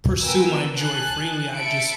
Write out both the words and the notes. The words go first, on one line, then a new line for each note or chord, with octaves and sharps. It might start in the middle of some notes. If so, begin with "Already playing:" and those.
pursue my joy freely, I just
B3 A#4 B4 G5 G#5 E6
G#5 A5 F#6
E5 A5 B5 C#7 D7